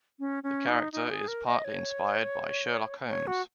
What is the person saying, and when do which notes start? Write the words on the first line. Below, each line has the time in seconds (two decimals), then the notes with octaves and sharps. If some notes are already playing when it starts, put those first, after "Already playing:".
The character is partly inspired by Sherlock Holmes.
0.19 C#4
0.43 C#4
0.68 D#4
0.92 D#4
1.10 G#4
1.28 A#4
1.46 D#5
1.64 C#5
3.09 C#5
3.27 F#4